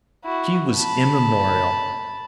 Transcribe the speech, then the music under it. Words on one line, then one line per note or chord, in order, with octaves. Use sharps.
She was immemorial....
E4 F#4
A5 B5